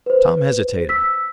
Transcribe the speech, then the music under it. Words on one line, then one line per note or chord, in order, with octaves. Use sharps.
Tom hesitated.
B4 C5
E6 B6